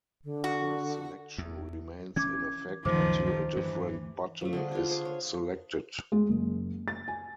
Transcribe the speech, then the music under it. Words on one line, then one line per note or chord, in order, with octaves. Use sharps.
The selection remains in effect until a different button is selected.
D3
F#4
E2
E3 C#4 D6 G#6
C#2 F#2 A#2 D#3 F3 C5 D6
G2 E3
F3 A3
D3 G3 G#4
D4 F4
G#4 C5
C#5
G#3
F#1
A6
G#5